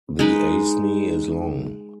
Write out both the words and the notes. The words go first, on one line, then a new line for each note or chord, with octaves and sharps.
The Aisne is long.
G#3 D#4 B4